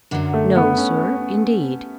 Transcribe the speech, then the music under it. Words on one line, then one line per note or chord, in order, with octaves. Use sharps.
"No, sir,--indeed."
F#2 D3 F#3
A3
B3
C#4